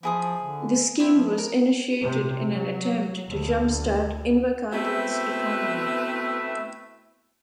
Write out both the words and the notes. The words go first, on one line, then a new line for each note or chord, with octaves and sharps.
The scheme was initiated in an attempt to jumpstart Invercargill's economy.
F3 E4 G#4 D#6
D3
C4 E4
F3
A#4
C3
F#3
D2
B2 A3 C4 E4 B4 E5